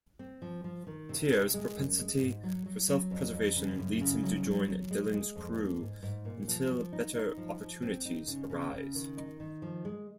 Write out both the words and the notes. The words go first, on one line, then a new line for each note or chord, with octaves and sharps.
Tyr's propensity for self-preservation leads him to join Dylan's crew until better opportunities arise.
C4
F3
F3
D#3
C3
C3
G#3
F#2
G#3
G#2
F#3
F#3
F#3
F2
F2
C#3
F#2
C#3
F#3
F#3
F#3
G#3
G#3
F2
A#3
G#2
G#2
A#2
F3
F3
D#4
D#4
F3
F3
C4
D#4
C#3
C#3
C#3
D#3
D#4
D#3
F3
G#3